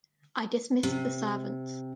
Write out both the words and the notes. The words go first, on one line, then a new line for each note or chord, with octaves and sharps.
I dismissed the servants.
C3